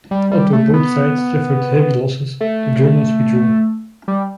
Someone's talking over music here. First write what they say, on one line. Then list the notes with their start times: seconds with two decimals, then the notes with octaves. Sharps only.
Although both sides suffered heavy losses, the Germans withdrew.
0.11 G3
0.31 G3
0.53 A3
0.74 B3
2.41 A3
4.08 G3